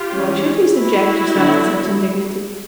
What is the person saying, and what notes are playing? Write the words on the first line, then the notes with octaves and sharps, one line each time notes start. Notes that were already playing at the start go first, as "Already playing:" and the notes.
"Why should you subject yourself to such indignity?"
Already playing: F4 G4
E3 G#3 C#4
E4 F#4
D3 F#3 B3 D4